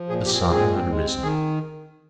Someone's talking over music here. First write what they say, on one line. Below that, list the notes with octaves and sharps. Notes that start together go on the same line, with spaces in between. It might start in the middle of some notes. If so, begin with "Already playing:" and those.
The sun had risen.
Already playing: F3
A#2 G#4
C4 G4
G#4
A#2 A#4
G#4
G#3
C4
G#3
C4
D#3 G#4